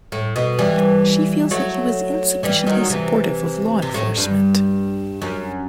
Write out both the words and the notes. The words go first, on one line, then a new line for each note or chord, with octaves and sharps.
She feels that he was insufficiently supportive of law enforcement.
A2
B2
E3 G3
F#3 A3
E3 G3
D#3 F#3
C3 E3
C3
A2
G2
F#2